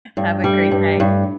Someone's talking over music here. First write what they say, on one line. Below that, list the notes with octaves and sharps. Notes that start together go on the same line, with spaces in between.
Have a great night.
G2
G3
G2
G2